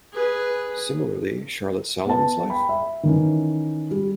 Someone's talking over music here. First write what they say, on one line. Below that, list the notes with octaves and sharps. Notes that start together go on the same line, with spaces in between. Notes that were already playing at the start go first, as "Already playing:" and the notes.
Similarly, Charlotte Salomon's Life?
G#4 B4
B3 A5
G5 B5
E5
D#3 E3 C#4
G3